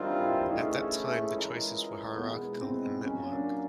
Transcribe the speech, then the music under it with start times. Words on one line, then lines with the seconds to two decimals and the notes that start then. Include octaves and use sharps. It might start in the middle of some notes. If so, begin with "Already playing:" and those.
At that time the choices were hierarchical and network.
Already playing: E3 G3 C4 D4 D#4 F4 A#4
0.20 E4
0.48 E3 A3 C#4 D#4 E4 G#4
1.33 E3 G#3 C#4 F4 A#4
2.18 E2 B2 G#3 B3
2.61 C4
3.03 A#2 F#3 A#3 C#4
3.31 D4